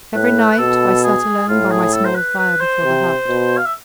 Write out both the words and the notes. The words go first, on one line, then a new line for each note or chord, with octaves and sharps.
Every night I sat alone by my small fire before the hut.
A2 B4
B4
B2 A4
G#4
A2 F4
G#4
A4
C5
B4
B4
C5
C3
B2
F5
E5